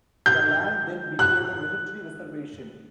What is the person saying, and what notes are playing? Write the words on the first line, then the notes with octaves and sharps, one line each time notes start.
The land then became a military reservation.
G6
F#6